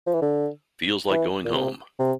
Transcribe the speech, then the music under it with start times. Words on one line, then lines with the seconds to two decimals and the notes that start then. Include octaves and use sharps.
Feels like going home.
0.07 F3
0.14 E3
0.21 D3
1.11 E3
1.45 A#2
1.55 C3
1.99 C3